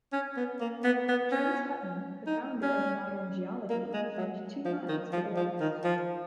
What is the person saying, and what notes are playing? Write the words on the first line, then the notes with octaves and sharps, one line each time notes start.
James Hutton, the founder of modern geology, farmed two miles to the west.
C#4
B3
A#3
B3
B3
C#4
D#4
C#4
A#3
G#3
F#3
F3
D#3
F3
F3
D#3
F3